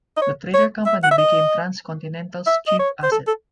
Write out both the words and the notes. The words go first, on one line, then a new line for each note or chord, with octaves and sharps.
The trailer company became Trans Continental's chief asset.
D#5
C#5
C#5
E5
F#5
E5
D#5
E5
D#5
C#5
C5
A4
A4